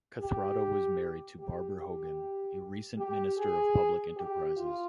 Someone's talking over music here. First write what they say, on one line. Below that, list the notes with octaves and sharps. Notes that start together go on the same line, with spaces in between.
Kathrada was married to Barbara Hogan, a recent Minister of Public Enterprises.
G4
G4
G4
G4
G#4
G4
F4